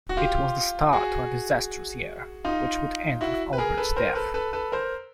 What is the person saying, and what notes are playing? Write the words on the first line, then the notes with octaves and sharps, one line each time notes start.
It was the start to a disastrous year, which would end with Albert's death.
F#4
F4 G4
F#4 G#4
D#4 F4
E4 F#4
B4
G#4 A#4
A4 B4
A#4 C5
A4 B4
A4 B4
A4 B4
A#4 C5